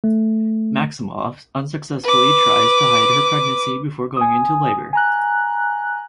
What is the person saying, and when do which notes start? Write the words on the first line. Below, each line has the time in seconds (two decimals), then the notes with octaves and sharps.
Maximoff unsuccessfully tries to hide her pregnancy before going into labor.
0.04 A3
2.04 B4 D6
4.17 G#5 D#6
4.93 G#5 A#5 F#6